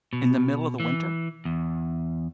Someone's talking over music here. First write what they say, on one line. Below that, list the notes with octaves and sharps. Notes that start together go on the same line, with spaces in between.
in the middle of the winter,
B2
E3
E2